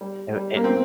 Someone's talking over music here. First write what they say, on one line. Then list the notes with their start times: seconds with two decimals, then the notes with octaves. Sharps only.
Er, it
0.01 G3
0.36 G3
0.56 A#3
0.64 C4